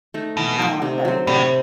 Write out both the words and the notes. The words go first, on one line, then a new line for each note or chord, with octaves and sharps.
I don't like that either.
A3 D#4
B2 E3
A3 D#4
C3
F#3 C4
A2 C3